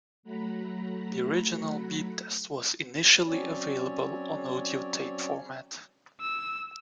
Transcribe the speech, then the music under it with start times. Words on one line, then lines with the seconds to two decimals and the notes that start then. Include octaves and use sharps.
The original beep test was initially available on audio tape format.
0.23 F#3 A3 F#5 A#5 B5
3.27 F#3 C4 C#4 C#5 D5
6.20 E6